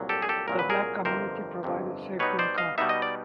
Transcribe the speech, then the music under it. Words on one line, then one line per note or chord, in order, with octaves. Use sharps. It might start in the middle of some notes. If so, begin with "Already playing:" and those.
The Black community provided safety and comfort.
Already playing: C2 A#2 F#3
G4 A4
G#4
G4 A4
C2 A#2 F#3 A#4
B4
G#4 A#4
G1 F2 C3 A#4 C5
G1 F2 C3
B2 G3 B3 D#4 B4 C#5
C5 D5
D#5 F5
B2 G3 B3 D#4 E5
D#5
D5